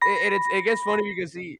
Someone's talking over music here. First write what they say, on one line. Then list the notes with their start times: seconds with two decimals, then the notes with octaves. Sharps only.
It it's it gets funny because he
0.02 B5 A#6